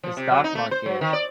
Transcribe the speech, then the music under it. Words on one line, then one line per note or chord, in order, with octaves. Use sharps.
the stock market
F3
C3
F#3
D#4
A3
C5
F#3
D#3
D5